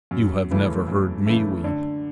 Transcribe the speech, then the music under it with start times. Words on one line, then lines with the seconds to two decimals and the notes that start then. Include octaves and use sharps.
You have never heard me weep.
0.11 F#2
0.51 C#3 E3 A3
0.88 F#2
1.26 C#3 E3 A3
1.64 D3